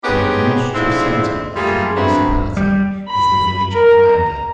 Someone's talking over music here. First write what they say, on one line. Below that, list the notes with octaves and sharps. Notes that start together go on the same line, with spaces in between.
The administrative centre of the municipality is the village of Manger.
B3 C4 D#4 G4 G#4 C#5
G#2 D3 F3 C4 E4
G3 A3 A#3 F4 G#4
F3 F#3 A3 B3 C4 D4
G3
B5
A#4
A#5